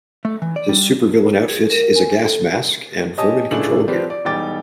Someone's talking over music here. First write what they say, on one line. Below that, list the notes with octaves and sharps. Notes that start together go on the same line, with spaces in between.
His supervillain outfit is a gas mask and vermin control gear.
A3
E3
D5
G3
G#4
A#4
G#5
A4
G4 C#5 D#5 G#5 A5 D#6
C#2 A2 D4 G#4 A4 F#7
F3 C4 G4 B4 D5
D5
E1 G3 D#4 G5 D6 A6